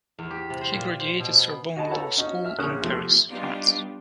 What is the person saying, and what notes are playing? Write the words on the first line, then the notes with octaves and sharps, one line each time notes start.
He graduated Sorbonne Law School in Paris, France.
E2
G4
C3
C5
A#2
C5
B2
B3
F#4 D#5 G#5 A5 B5
A4 B4 C#5 F#5 A5 A#5
C#4 D#4 F#4
E5 F6
A#1 A#3 C#4 C#6 D#6 F#6
E2 C3 F3 A3
G3 B3 D4 D#4 F4 G4